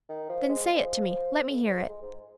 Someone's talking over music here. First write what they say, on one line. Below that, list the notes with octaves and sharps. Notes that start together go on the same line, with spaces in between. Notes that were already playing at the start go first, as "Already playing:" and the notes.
"Then say it to me--let me hear it."
D#3
F3
G#3
F3
F2
G#2
G#2
G#3
G#2